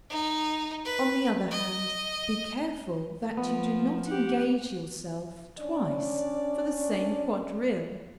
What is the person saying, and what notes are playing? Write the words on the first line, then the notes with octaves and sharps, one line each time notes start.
On the other hand, be careful that you do not engage yourself twice for the same quadrille.
D#4
B4
D#5
F3 B3
G4 F#5
C#4 D4 D5